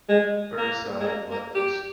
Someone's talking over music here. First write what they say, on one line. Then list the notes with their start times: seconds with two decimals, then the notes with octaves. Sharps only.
Burnside and Lutefisk.
0.09 G#3
0.57 A#3
1.00 G#3
1.07 A#3
1.31 A#3
1.55 G4